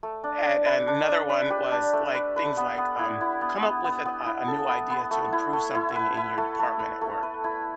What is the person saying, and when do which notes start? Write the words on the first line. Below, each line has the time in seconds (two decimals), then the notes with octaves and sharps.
and and another one was, like, things like, um, "Come up with a a new idea to improve something in your department at work."
0.03 A3
0.24 D4
0.45 D4
0.66 B4
0.87 D4
1.08 D4
1.30 B4
1.50 G4
1.72 D4
1.93 A3
2.15 B4
2.36 B4
2.57 B3
2.78 B3
2.99 E4
3.21 E4
3.41 B3
3.62 B3
3.84 B3
4.05 B3
4.26 E4
4.48 A4
4.68 B3
4.90 B3
5.11 A3
5.32 E4
5.53 A3
5.75 E4
5.95 B4
6.17 E4
6.38 A3
6.59 A3
6.79 B4
7.01 A3
7.23 B4
7.44 E4